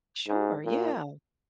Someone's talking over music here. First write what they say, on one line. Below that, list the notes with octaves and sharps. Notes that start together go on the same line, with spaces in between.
Sure, yeah.
G#2
A#2